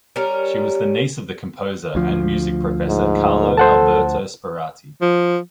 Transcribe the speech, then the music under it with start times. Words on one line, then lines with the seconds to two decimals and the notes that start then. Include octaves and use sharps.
She was the niece of the composer and music professor Carlo Alberto Sperati.
0.16 G3 C#4 A#4
1.95 D2 F3
2.88 G#2
3.57 A4 C5 F#5 A5
5.02 F3